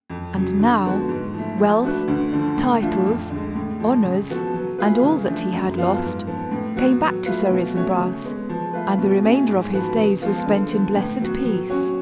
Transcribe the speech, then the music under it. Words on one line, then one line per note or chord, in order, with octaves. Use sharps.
And now wealth, titles, honors, and all that he had lost, came back to Sir Isumbras, and the remainder of his days was spent in blessed peace.
F2
C#3 F#3
D3
F3 G#3 B3 F#4
G#2
F3 A3
F3
A3 D4 F#4 B4
D2
D3 F3
A2
F3 A3 D4 F4
F2
D3 G#3
A2
F3 G#3
C#3
F3 B3 F#4 A4
F#3
A3 F4 G#4 B4
C#3
F3 A3 D4
F#2
F3 B3 F4
G#2
F3 B3
A2
F#3 B3 F#4
F#3
A3 F4 B4
B2
A3 C#4 F#4 C#5
C#3
G#3 B3
F3
A3 F4 B4
B2
A3 C#4 G#4
G#2
F3 B3 F#4 B4
C#3
F3 G#3 B3 F4
D3
F3 B3
A2
F#3 B3 F#4
F#3
C#4 F#4 C#5